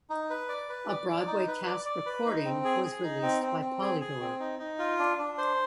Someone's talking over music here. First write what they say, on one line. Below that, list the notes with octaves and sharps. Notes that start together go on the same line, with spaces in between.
A Broadway cast recording was released by Polydor.
D#4
B4
D5
B4
D5
D5
D#4
B4
D5
D5
B4
D#4
C4
G#4
G#4
D#4
C4
C4
C4
G#4
G#4
C4
D#4
D#4
F4
D4
D4
C5